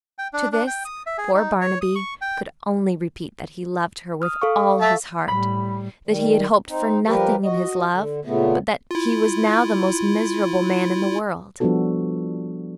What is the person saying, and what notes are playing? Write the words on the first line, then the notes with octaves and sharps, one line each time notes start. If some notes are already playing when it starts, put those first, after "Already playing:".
To this poor Barnaby could only repeat that he loved her with all his heart, that he had hoped for nothing in his love, but that he was now the most miserable man in the world.
G5
D4
D4
G5
D#6
E5
G#4
D#4
C#5
D#6
C#6
G5
D#6 F6
A4 F5 C#6
E5 A5
A2 G3 B5
D#3 G3
C4 D#4
F3 G3 G4 A#4 B4
F#4 D#5
D3
A#2 C#3 A3 B3
E4 F4
F3 G3 B3 D4 F#4 A4